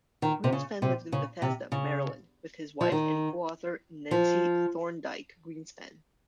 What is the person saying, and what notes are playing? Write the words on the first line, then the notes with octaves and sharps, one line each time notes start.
Greenspan lived in Bethesda, Maryland, with his wife and co-author Nancy Thorndike Greenspan.
D#3
C3
C#3
C3
C#3
C3
C#3
F3
D#3
F3